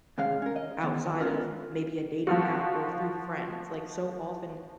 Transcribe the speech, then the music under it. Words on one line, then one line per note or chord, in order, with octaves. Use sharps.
m outside of maybe a dating app or through friends, like, so often
D#2 C3 G#3 C#4 F5
C#4 A#4
D#5
D#3 B3
D#3
G#3 A#3 B3 C#4 F4 A#4
F3 F4 F#4